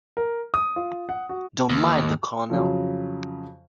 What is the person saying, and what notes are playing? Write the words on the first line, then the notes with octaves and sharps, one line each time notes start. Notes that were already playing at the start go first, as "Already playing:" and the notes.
Don't mind the Colonel.
A#4
D#6
F4
F#5
F#4
D#2
F2 C#3 F#3